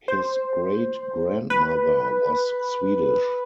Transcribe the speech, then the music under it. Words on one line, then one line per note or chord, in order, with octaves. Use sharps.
His great-grandmother was Swedish.
C5
B4